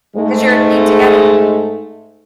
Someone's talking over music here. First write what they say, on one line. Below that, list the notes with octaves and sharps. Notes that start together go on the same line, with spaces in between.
'cause you're a team together.
G#2 G#3 A3